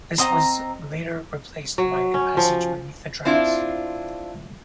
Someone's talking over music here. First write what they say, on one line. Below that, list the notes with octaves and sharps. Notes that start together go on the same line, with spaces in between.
This was later replaced by a passage beneath the tracks.
C4 D#5 G#5 A#5
F#3
C#4
F3
C4 D4 E4 F4